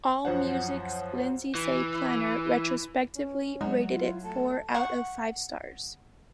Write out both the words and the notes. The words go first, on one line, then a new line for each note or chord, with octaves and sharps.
Allmusic's Lindsay Planer retrospectively rated it four out of five stars.
F#2 F3 C5 C#5 F#5
E3
C#4
F#3 G#3 D#4 F#5
E4 F4
A3 A5
F#5 C#6